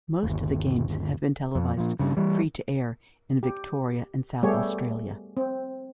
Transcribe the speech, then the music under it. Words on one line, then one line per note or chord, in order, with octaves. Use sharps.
Most of the games have been televised free-to-air in Victoria and South Australia.
G1 D#2
F2
A#2 F3
G2 C#3
E3 G3
G4
G3 A3 B3 G4 G#4 C#5
C4